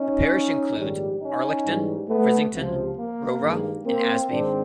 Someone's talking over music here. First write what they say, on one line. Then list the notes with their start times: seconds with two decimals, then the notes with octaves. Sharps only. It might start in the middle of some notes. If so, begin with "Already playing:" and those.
The parish includes Arlecdon, Frizington, Rowrah and Asby.
Already playing: C#4 D#4
0.76 A#1 G#2 D#3 G3
1.20 C#4 D#4
1.64 G#2 E3 G3
2.09 A3 B3
2.53 C#2 C3 F3
2.98 A#3
3.41 G2 D#3 G#3
3.85 A#3 C4
4.30 G#2 D#3 G#3 C4 D4